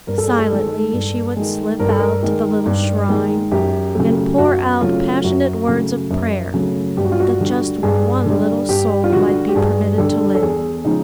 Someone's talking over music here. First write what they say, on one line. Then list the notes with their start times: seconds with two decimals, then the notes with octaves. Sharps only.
Silently she would slip out to the little shrine and pour out passionate words of prayer that just one little soul might be permitted to live.
0.07 G2 A#4
0.18 A4
0.28 G#4
0.38 A4
0.50 D#3 G#3
0.93 G2
1.36 D#3 G#3
1.79 G2 A#4
1.89 A4
1.99 A#4
2.23 D#3 G#3
2.66 G2
3.09 D#3 G#3
3.51 F#2 G4
3.95 C#3 F#3 A3
4.38 F#2 F#4
4.81 C#3 F#3 A3 F4
5.24 F#2 F#4
5.68 C#3 F#3 A3
6.11 F#2
6.54 C#3 F#3 A3
6.97 G2 G4
7.05 F#4
7.12 F4
7.20 F#4
7.40 D3 G3
7.83 G2 G#4
8.26 D3 G3
8.69 G2 G4
9.04 F4
9.12 D3 G3 F#4
9.48 G4
9.55 G2 G#4
9.98 D3 G3 A4
10.35 A4
10.41 E2 G#4
10.85 C#3 F3 G#3 D#4